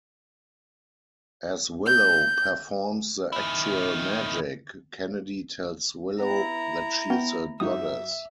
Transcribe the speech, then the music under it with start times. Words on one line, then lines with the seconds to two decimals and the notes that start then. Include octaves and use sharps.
As Willow performs the actual magic, Kennedy tells Willow that she is a goddess.
1.86 G6
3.33 D#3 E4
6.20 B3 E4 A#5
7.10 B3 G5
7.60 F#2 F#3 D#4 E5 D#6